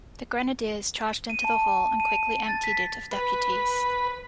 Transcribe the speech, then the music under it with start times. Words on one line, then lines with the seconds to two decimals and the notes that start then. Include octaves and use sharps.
The grenadiers charged into the hall and quickly emptied it of deputies.
1.30 D#7
1.44 A5
2.00 D#7
2.48 A6
2.64 B6
3.12 B4